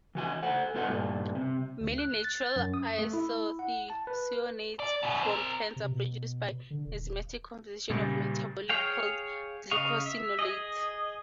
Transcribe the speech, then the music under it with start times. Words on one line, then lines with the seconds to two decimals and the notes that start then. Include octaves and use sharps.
Many natural isothiocyanates from plants are produced by enzymatic conversion of metabolites called glucosinolates.
0.15 E3 F#4 G#5
0.43 A4 C5 F#5
0.75 B3 F4 A4 F#5
0.89 G2 A#2
1.35 C3
1.81 D2
1.98 F#6
2.24 A6
2.56 F#2
2.74 D#6
2.99 A3
3.13 E4
3.59 F#5
3.90 A5
4.07 B4
4.80 D5
5.03 F#2 B2
5.22 C4 A#4
5.76 C3
5.92 B2
6.70 D3
6.85 D#1
7.90 A#2 C#3 G3 G#3 A6
8.69 G#4 C#5 F5 G5
9.71 C#3 D#5 F5 C#6
10.06 E5
10.39 G#4 D#5